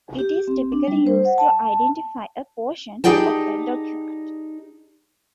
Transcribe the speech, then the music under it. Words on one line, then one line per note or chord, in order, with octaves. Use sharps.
It is typically used to identify a portion of that document.
G4
C4
D4
G3
C5
F#5
A5
D#4 G4 G#4 D5 G5 A5